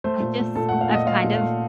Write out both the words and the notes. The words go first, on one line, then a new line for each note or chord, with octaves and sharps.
I just I've kind of
A3 C5
A#2
A3
A#2 A4
F#5
A3
F5
A#2 D#5
A3 F5
A#2
F5
A3